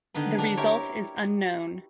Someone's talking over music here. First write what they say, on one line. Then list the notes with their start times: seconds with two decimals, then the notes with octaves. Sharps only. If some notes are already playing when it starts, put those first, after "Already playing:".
The result is unknown.
0.14 D3 D#3 B3 B4
0.38 D4 A#5
0.57 E4 G4 A#4 C#5